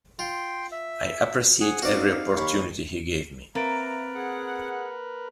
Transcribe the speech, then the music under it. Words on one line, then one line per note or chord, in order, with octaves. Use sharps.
I appreciate every opportunity he gave me.
F4 G5 C6
E5
G#4 F#5 D#6
C4 D#4 F#4 D5 F5
D#2 B5 C#6
A#3 C4 A#4 B4 E5 A#5 A6 D7
G#4 F#5